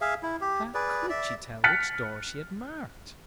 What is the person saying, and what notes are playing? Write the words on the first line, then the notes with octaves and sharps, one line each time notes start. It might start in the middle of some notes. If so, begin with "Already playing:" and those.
How could she tell which door she had marked?
G#4 E5 F5
E4
G4
G#4 B4 D5
D5 E5
F6 F#6 A6 B6 C#7